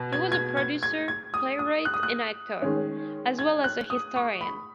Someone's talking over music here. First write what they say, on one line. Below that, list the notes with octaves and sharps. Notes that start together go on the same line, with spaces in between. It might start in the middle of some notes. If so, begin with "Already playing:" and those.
He was a producer, playwright, and actor, as well as a historian.
Already playing: B2
G#6
G#6
G#6
G#6
G#6
D#6
D#6
F#6
D#6
F#6
D#3 G#3 C#4
G#6
F#6
D#6
C#6
B5